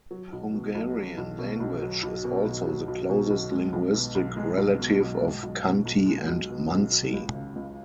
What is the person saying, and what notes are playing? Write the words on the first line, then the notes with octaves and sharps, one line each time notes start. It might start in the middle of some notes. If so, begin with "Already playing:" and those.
The Hungarian language is also the closest linguistic relative of Khanty and Mansi.
F#3
B1
B2
B1
F#3
B1
B2
B1
F#3
B1
B2
B1
F#3
B1
B2
B1
G#3
B1
B2
B1
G#3
B1
B2
B1
G#3
B1
B2
B1
G#3
B1
B2
B1
F#3
C#2
C#3
C#2